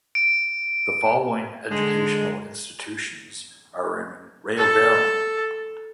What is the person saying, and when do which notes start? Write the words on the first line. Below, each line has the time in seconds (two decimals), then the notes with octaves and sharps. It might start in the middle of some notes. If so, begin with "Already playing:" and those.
The following educational institutions are in Rayavaram.
0.15 D7
1.71 D3 G#3
4.58 A4